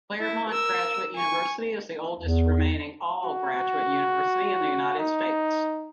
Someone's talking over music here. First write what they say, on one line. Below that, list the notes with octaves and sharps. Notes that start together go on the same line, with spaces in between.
Claremont Graduate University is the oldest remaining all-graduate university in the United States.
E4
A#4 E6
G#5 C#6
E2
F#4
D#4